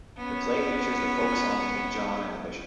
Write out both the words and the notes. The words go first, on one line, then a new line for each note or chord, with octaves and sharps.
The play features the folk song King John and the Bishop.
B3 C#4